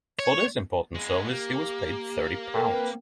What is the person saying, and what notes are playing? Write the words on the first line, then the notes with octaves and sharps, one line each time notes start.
For this important service he was paid thirty pounds.
C#5
G#3 B3
A#3 G4
A4 A#4 G5
C4 B4